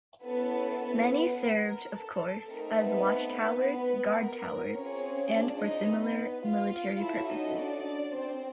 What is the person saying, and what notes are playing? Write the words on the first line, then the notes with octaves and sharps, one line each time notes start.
Many served, of course, as watchtowers, guardtowers, and for similar military purposes.
B3 C#4 E4 A4 B4
B3 B4
A#4
A4
A3 C4 D#4 A#4
B3 B4
B3 B4
A#4
C4 C#4 F4 G#4 C#5
D4 D5
D#4 D#5
B3 B4
F4 F5
C#4 E4 F#4 A4 E5
D#4 D#5
D4 D5
C4 C5